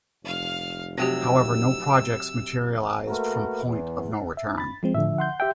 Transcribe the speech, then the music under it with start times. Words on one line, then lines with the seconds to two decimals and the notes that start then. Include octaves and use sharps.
However, no projects materialized from Point of No Return.
0.24 F1 F5 F6
0.98 C3 F#3 C4 F#4 G4 E6
3.07 A3 A#3 F#4 A#4 B4
3.64 E2
4.37 E5
4.58 B5 A6
4.83 F3 G#3 C4
4.95 A2 D3 F3 E5
5.18 F#5 C6 G6
5.40 G4 E5 G5